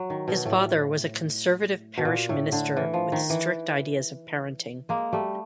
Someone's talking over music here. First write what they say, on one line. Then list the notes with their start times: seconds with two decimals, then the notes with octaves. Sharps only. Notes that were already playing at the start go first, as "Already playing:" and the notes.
His father was a conservative parish minister with strict ideas of parenting.
Already playing: F#3
0.10 D#3
0.28 B2
0.45 A2
1.97 B2
2.05 A#2
2.29 A2
2.52 D3
2.77 E3
2.94 F3
3.12 D#3
3.30 E3
4.89 G#3 A#3
5.13 G3 A3